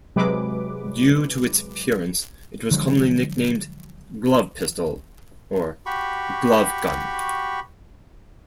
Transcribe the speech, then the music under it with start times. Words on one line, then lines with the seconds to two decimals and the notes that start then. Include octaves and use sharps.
Due to its appearance, it was commonly nicknamed "Glove Pistol" or "Glove Gun".
0.16 C3 F#3 G#3 B4 D6
2.71 D3 F3 F#3 G#3
5.86 F#4 G4 B5 C#6